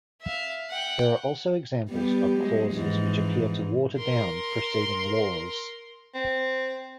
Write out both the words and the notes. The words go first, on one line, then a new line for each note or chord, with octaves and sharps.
There are also examples of clauses which appear to water down preceding laws.
E5 F5
F#5 G5
G3 B3 G4
F#3 G#3
F2 G#2 E3
A#4 C6
C4